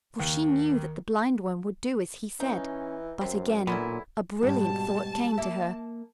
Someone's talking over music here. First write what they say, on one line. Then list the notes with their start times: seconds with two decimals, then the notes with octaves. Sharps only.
For she knew that the Blindworm would do as he said. But again a brilliant thought came to her.
0.20 D#2 D#3
2.40 E3 C#4 D#4
3.21 F#2 C3 C4
3.67 B1 A#2 D3 B3 C#4 E4
4.43 G#2 B2 G3 A5
5.38 A#3 E5